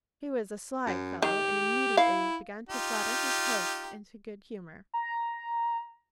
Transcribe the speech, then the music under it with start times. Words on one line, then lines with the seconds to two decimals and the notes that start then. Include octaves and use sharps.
He was a sly fellow, and immediately began to flatter his host into good humor.
0.87 F#2
1.22 D#3 G4
1.97 E4 F5
2.69 D#4 F4 G4
4.94 A#5